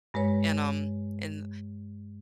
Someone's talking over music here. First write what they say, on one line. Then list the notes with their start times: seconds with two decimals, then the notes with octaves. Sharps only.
and, um, and,
0.14 G2 G#3 B4 C#5